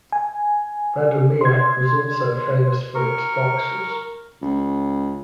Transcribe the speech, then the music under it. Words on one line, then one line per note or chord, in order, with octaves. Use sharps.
Radomiak was also famous for its boxers.
G#5
C6 G#6
A#4 C#6
C#2